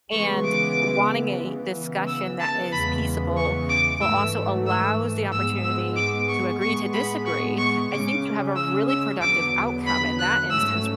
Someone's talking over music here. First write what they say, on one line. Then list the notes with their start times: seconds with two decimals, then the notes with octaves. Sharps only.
and wanting a discussion that is peaceable, but also allows the opportunity to agree to disagree, I think you have a really productive outcome in that instance
0.12 C#3 E3 G#3 B3 C#6
0.45 D6
1.42 C#3 E3 B3
2.07 E6
2.40 A5
2.72 E2 C#3 E3 G#3 B3 B5
3.37 C#6
3.69 D6
4.01 G#2 E3 A3 E6
4.67 E6
5.32 G#2 G#3 B3 E6
5.64 E6
5.96 D6
6.29 C#6
6.61 A2 G#3 B3 C#6
6.94 B5
7.26 C#6
7.58 C#6
7.91 C#3 G#3 C#4 D6
8.56 E6
8.89 E6
9.21 E2 D3 F#3 B3 D6
9.86 B5
10.19 F#6
10.50 G#2 F#3 A3 C#4 E6